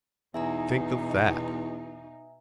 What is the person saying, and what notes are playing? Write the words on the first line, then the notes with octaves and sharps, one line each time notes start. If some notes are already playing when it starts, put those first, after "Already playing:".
Think of that!
E2 B2 D#4 E5 G#5 A#5